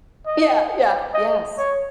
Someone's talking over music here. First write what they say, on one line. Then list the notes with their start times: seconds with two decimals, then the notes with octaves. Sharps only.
Yeah, yeah, yes.
0.26 D#5
1.14 D#5
1.58 C#5